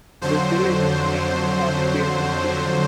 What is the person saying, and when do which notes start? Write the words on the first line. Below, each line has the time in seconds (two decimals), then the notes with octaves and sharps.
The village's main economic base is fishing.
0.21 F2 D3 F#3 C5